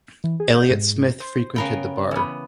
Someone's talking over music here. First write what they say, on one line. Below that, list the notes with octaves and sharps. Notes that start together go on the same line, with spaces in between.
Elliott Smith frequented the bar.
E3
G#4
G6
G#2
C5
C#3 B3 A#4 G5
E3 B3